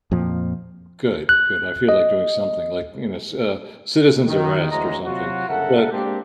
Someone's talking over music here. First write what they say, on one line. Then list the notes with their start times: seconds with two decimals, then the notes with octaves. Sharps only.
Good, good. I feel like doing something like, you know c uh, citizens arrest, or something, but,
0.12 F2 A#2 F3
1.29 F#6
1.89 D#5
4.27 D#3
4.70 D2 E3 F#3 G#3 D#5 A#5
5.04 C3 F#3 F4 F#4
5.48 G1 C#3 A4 A#4 E5 F#5
5.90 G#3 A#3 C4 D4 G4